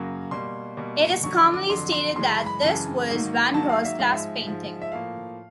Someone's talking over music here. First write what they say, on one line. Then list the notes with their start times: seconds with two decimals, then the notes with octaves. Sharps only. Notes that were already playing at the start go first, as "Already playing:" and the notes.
It is commonly stated that this was van Gogh's last painting.
Already playing: F#2 C#3 F#3 A#3
0.31 B2 G3 A#3 C6
0.77 B2 G3 A#3
1.23 F2 D3 F#3 C#6
1.38 D6
1.54 D6
1.70 F2 D3 F#3 C6
1.92 C6
2.16 F#2 C#3 E3 G#3 C6
2.31 B5
2.46 B5
2.61 F#2 C#3 E3 G#3 A5
3.08 G#2 D#3 F#3 A#3
3.54 G#2 D#3 F#3 A#3 A5
3.69 F5
3.85 E5
3.99 G#2 F3 G#3 F5
4.12 E5
4.46 G#2 F3 G#3
4.82 E5
4.92 A2 F3 A#3 F5